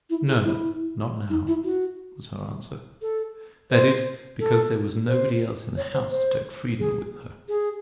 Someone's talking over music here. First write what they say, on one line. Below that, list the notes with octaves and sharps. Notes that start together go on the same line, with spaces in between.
"No, not now!" was her answer; that is, because there was nobody else in the house to take freedoms with her.
E4
G#4
E4
D#4
E4
F#4
A4
C5
A4
C5
C#5
C5
C5
G#4
G#4